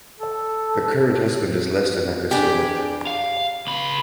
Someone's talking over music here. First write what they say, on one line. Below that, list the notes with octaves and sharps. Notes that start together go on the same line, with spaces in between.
Her current husband is Lester Nakasone.
A4
D4 G4 G#4 B4
F5
C#2 B5